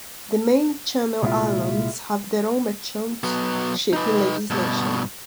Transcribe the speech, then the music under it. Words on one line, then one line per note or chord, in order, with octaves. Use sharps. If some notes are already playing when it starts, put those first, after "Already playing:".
The main Channel Islands have their own Merchant Shipping Legislation.
C2 A#2 G#3 C#4 E4 F4
F#3 B3
D#4 B4
G2 B2